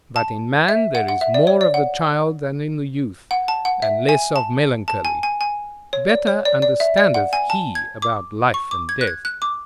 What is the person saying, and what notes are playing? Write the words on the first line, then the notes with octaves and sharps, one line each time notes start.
But in man there is more of the child than in the youth, and less of melancholy: better understandeth he about life and death.
A5
E5
F#5
F#5
E5
D5
C#5
D5
F#5
F#5
A5
F#5
E5
G#5
A5
A5
G#5
G#5
G#5
C#5
D5
C#5
D5
D5
E5
D5
F#5
G#5
A5
G#6
D6
C#6
D6
G#6
F#6
G#6
F#6
D6